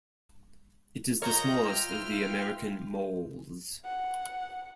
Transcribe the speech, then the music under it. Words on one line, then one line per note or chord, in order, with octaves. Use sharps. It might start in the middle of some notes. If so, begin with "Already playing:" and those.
It is the smallest of the American moles.
F4 A#4 C#5 D#5 A#5 G6
B4 E5 G5 F6
F#5